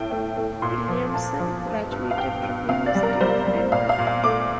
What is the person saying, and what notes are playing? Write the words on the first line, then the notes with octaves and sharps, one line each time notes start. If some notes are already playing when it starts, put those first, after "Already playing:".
Williamson graduated from the University of Denver.
Already playing: A2 G5
A3
A3
A#2 C6
F3
A#2 A5
F3
G2
G2
F5
G2 G5
G2
C3 F5
D5
G3
A#4
G3 C5
G3
A#2 F5
F5
A#2
F5
A3 D6